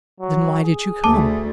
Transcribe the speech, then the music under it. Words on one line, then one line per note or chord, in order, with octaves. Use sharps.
"Then why did you come?"
F#3
G#4
D2 A3 A5 D6